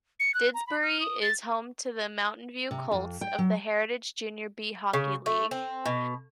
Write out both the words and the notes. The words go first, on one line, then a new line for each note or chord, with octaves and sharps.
Didsbury is home to the Mountainview Colts of the Heritage Junior B Hockey League.
C#7
F#6
A#5
B5
F6
D#6
A6
C3
F2
G5
F#3
C#3
A3
C4
B2